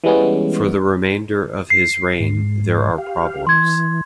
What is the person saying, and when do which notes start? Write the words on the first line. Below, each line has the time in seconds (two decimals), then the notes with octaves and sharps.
For the remainder of his reign there are problems.
0.04 E3 G3 G#3 B3 C#4
1.70 C7
2.20 G#2
2.98 G4 F5
3.47 E3 C6 G#6